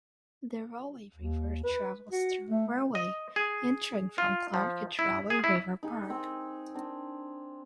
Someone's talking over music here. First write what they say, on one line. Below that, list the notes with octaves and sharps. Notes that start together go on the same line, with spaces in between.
The Rahway River travels through Rahway, entering from Clark at Rahway River Park.
D#2
B4
F#4
A3
D#5
G#4
F4
F3
E4
G#4
E4
D#4 G#4
C4
C4 D4